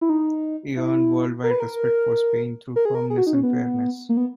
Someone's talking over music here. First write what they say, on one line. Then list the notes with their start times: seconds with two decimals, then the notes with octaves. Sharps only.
He earned worldwide respect for Spain through firmness and fairness.
0.01 E4
0.09 D#4
0.77 E4
1.44 A#4
1.51 B4
1.60 A#4
2.76 A#4
2.85 G#4
2.95 A#4
3.10 G#4
3.18 F#4
3.27 D#4
3.34 C#4
3.43 B3
4.09 A#3
4.17 B3